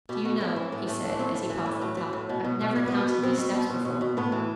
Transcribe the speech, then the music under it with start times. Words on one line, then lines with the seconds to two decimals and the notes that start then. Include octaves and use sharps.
'Do you know,' he said, as he paused at the top, 'I've never counted these steps before.
0.09 B2 G4
0.25 B2 F#4
0.40 A2 E4
0.56 E3 C4
0.72 A2 B3
0.88 A2 A3
1.04 E3 D4
1.19 A2 C4
1.34 A2 A3
1.50 E3
1.58 G3
1.66 A2
1.81 A2 F#3
1.97 E3
2.13 A2
2.29 B2
2.45 B2
2.61 B2
2.75 B2 G3
2.88 B2 B3
3.07 B2 B3
3.23 B2 C4
3.39 B2
3.54 B2
3.70 B2
3.85 B2
4.01 B2
4.17 A2 B3
4.32 E3